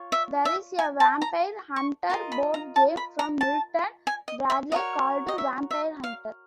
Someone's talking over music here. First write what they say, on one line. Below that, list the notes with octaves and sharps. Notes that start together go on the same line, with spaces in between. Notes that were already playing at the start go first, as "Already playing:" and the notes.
There is a vampire-hunter board game from Milton Bradley called "Vampire Hunter".
Already playing: F4 C#5
E5
E5
G#5
A5
A#5
C#6
F4 A#4 D#5 C6
B5
A#5
A5
B5
A#5
A5
G#5
D#5
E5
F#4 A#4 C#5 D#5
D#5
E5
E5
F5